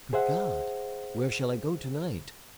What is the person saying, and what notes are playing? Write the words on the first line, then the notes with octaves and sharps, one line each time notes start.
"Good God! where shall I go to-night?"
G#4 C5 E5 F#5